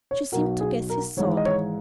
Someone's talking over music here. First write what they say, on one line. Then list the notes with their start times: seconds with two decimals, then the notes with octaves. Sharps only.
She seemed to guess his thought.
0.11 C#5
0.32 B1 B2 A#4
0.60 G#4
0.90 A#4
1.17 G#1 G#2 E3 C#5
1.37 D#5
1.46 C#5